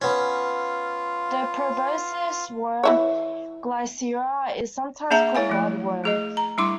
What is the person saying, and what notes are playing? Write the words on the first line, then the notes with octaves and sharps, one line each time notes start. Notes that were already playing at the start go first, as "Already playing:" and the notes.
The proboscis worm "Glycera" is sometimes called bloodworm.
B3 C#4 F4
E3 E4 C#5
A#3 D4 G#4 E5 A5 A#5
E4 C#5 F5 G#5
F3 A3
A3 G#4 D#5
A#5
G3 D4 E4 C6 D6